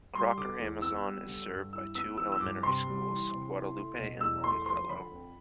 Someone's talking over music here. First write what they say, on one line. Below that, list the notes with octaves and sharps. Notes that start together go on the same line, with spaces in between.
Crocker-Amazon is served by two elementary schools, Guadalupe and Longfellow.
G3 C6
D3 D6
E2
B3 E6
G3
D3
G2
E4 E6
B3 E6
E3 E6
E6
G2 D6
C3 C6
G3
E3
C3
E4
A3
B2
E2 E6
A3 C6
F3 C6
D3 B5
F2